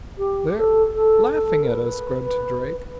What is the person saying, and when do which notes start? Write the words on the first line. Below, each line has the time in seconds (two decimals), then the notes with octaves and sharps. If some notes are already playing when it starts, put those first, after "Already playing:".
"They're--laughing at us!" grunted Drake.
0.18 G4
0.56 A4
0.95 A4
1.32 A4
1.62 A#4
1.70 B4